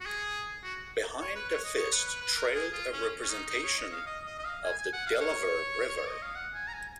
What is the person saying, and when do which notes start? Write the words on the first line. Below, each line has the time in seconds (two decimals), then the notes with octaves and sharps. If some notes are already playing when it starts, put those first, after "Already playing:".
Behind the fist trailed a representation of the Delaware River.
0.01 F#4
0.06 G#4
0.64 F#4
1.21 C#5
1.35 B4
1.49 C#5
1.64 D#5
1.78 C#5
1.93 B4
2.07 B4
2.21 B4
2.36 A#4
2.55 G#4
2.73 F4
2.93 C#4
3.22 C#4
3.30 D#4
3.49 D#4
3.64 C#5
3.78 D#5
3.92 F5
4.06 D#5
4.26 D#5
4.39 D#5
4.45 F5
4.64 G#5
4.78 G#5
4.93 F#5
5.07 F5
5.21 C#5
5.97 C#5
6.09 D#5
6.22 F5
6.35 F#5
6.54 G#5
6.68 A#5
6.74 G#5